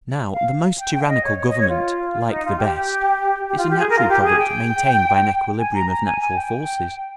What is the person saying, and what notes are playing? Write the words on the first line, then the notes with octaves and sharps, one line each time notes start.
Now the most tyrannical government, like the best, is a natural product maintained by an equilibrium of natural forces.
F5
G5
G5
F5
D#5
C#5
C#5
D#5
C#5
F4
D#4
F4
G4
G4
F4
G4
G#4
A#4
F4
G4
G#4
G5
G#5
A#5
A#5
G#5
G#5
G5